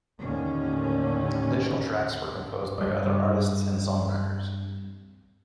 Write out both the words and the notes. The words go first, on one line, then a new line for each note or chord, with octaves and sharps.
Additional tracks were composed by other artists and songwriters.
D#2 A2 D3 D#3 C#4
G2 G3